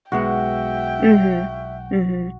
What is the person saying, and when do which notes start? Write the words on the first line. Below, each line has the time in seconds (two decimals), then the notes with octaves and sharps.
Mhm, mhm.
0.12 B1 G#3 B3 F#4 E5 G5